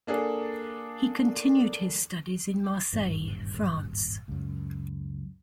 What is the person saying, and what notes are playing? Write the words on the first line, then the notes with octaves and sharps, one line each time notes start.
He continued his studies in Marseille, France.
A#3 D4 G#4 A4
D#1 G#1 G2 E3
C#2 F#2